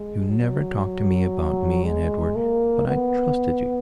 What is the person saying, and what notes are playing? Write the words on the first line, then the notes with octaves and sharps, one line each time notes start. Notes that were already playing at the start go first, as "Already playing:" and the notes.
You never talked to me about me and Edward, but I trusted you.
Already playing: G#3
F#3
G#3
A#3
B3